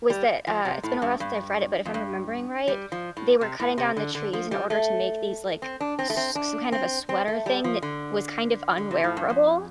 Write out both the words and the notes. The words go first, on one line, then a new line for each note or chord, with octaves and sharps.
was that, uh, it's been a while since I've read it, but if I'm remembering right, they were cutting down the trees in order to make these, like, s some kind of a sweater thing that was kind of unwearable.
G3
F3
C3
A2
G2
G2
F2
G2
G3
F3
A2
C3
A2
C3
D3
D3
F3
G3
A3
C4
D4
C4
A3
C4
D4
C4
C4
A3
G3
F3
D3
D3
C3
A2
G2
F2